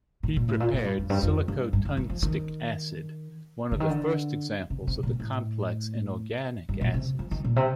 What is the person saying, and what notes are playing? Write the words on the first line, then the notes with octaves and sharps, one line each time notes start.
He prepared silicotungstic acid, one of the first examples of the complex inorganic acids.
A2
A#2
A2
A#2
A#2
G2
F2
G2
F2
G2
G2
D#3
D#3
F3
D#3
D3
D#3
D3
C3
C3
A#2
A2
G2
A#2
C3
F3
D#3
A#2
C3